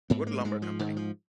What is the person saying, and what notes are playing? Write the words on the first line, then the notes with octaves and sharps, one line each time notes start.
Wood Lumber Company.
G#2 B3
A#3
A#3
G#2 G#3
F3
G#2 D#3
F3